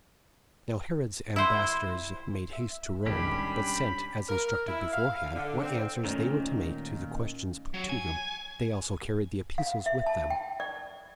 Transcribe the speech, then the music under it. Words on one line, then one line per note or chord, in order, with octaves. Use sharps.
Now Herod's ambassadors made haste to Rome; but sent, as instructed beforehand, what answers they were to make to the questions put to them. They also carried the epistles with them.
E4 C5
E5
B1 G#2 D#3 G3 C#4 D4 G4 B5
A#4
E4
F5
D3
C4
A#2 D#3 A3 C#4
F#3
G#5
F5
E5
A5
G5
D5